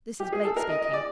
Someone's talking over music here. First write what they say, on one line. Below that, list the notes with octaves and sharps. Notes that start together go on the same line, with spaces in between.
This is Blake speaking.
G4
G#4
A4
A#4
D#5
D#5
D5